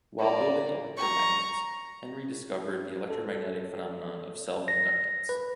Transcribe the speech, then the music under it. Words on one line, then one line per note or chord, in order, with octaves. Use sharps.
While building electromagnets, Henry discovered the electromagnetic phenomenon of self-inductance.
A#3 D5
A#5 C#6
A4
A#6
B4